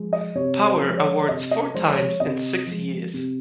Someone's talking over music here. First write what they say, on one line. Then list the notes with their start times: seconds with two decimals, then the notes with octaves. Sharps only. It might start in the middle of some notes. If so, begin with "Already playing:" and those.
Power awards four times in six years.
Already playing: F3 G#3
0.13 D#5
0.35 C3 C#5
0.67 C5
0.82 F3 G#3
0.98 C#5
1.29 C3 D#5
1.51 D#5
1.74 F3 G#3 C5
1.92 C5
1.97 C#5
2.20 C3 D#5
2.67 F3 G#3
3.14 C3